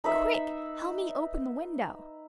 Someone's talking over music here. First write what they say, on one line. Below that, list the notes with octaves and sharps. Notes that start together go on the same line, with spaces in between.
"Quick, help me open the window."
D#4 B4 E5